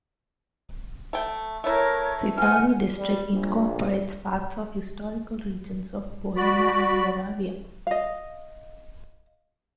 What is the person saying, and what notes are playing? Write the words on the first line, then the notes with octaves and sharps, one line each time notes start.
Svitavy District incorporates parts of historical regions of Bohemia and Moravia.
A3 G5
A3 E4 A#4 C#5
E3 C4 F#5 G#5 F6
G3
A#1
F#4 D5 B5
D#5 F5